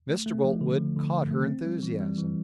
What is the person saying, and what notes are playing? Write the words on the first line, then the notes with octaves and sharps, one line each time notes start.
Mr. Boltwood caught her enthusiasm.
A3
A3
F3
D3
F3
D3
D3
A3
C4
G3
E3
G3
E3